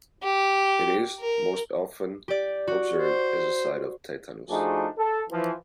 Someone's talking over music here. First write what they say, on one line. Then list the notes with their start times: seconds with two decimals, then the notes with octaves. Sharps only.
It is most often observed as a sign of tetanus.
0.23 G4
1.20 A#4
2.28 G4 D5
2.67 F#4
3.01 C5
4.50 F3 A3 D4 D#4 F#4 G#4
4.97 A4
5.30 E3 F3